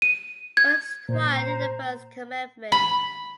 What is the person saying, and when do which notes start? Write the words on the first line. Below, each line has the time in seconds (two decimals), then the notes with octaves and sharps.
What is required in the first commandment?
0.02 D#7
0.57 G#6
1.09 A#2 C5 A#5
2.72 B5